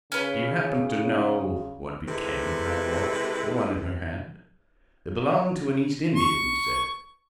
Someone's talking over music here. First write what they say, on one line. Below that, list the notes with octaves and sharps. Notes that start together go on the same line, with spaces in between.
"Do you happen to know what became of that watch--the one in her hand? It belonged to an East Indian, you said."
C#3 C#4 B4
C3 G#3 E4 A4 B4
C#6